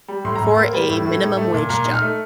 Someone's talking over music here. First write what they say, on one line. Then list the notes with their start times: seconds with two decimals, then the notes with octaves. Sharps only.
For a minimum wage job.
0.08 G3
0.25 A2 C6
0.36 A#5
0.41 A2 C6
0.57 A#3
0.73 G3
0.90 A2
1.05 A2
1.21 D#4
1.37 A3
1.54 A#2
1.69 A#2 A#5
1.85 D#4
1.94 F6
2.02 A3